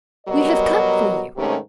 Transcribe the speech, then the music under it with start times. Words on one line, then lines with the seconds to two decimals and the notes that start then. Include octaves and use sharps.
"We have come for you."
0.27 B2 F#3 G3 A#4 D#5
1.36 G#2 C3 D#3 A3 C#4 G4